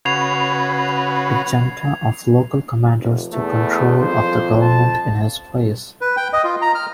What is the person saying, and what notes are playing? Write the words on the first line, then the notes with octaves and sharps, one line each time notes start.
A junta of local commanders took control of the government in his place.
C#3 F#4 B4 G#6 C7 F7
F1
E2 A3
F2 C5
A5
B4
G5
D#5
F4
A#5
F6